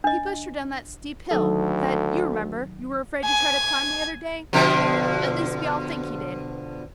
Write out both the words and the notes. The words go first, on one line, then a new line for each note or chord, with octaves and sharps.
"He pushed her down that steep hill that you remember you were afraid to try to climb the other day; at least we all think he did."
D4 D#5
D2 D#3 F#3 D#4 A4
G#5
B2 D3 F3